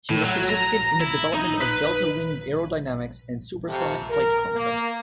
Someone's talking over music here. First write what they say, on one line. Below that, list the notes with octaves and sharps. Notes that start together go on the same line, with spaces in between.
He was significant in the development of delta wing Aerodynamics and supersonic flight concepts.
A2
F#3
A#5
E4
D#4
B4
F2 C3
A#4
A#3